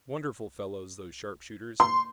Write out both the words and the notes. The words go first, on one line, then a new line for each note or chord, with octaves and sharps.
Wonderful fellows, those sharpshooters!
C6